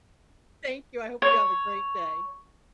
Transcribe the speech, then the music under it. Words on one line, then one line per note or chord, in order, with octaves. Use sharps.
thank you, I hope you have a great day.
C#5